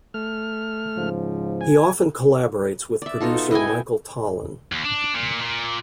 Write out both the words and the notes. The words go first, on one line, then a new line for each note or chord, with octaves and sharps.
He often collaborates with producer Michael Tollin.
A3 F6
G#2 C#3 F3
G#5
D5 E5
B2 D#4 F4 A4
E5
E4 D#5 G5 G#5
E4
D#2
D4
A#2
A#2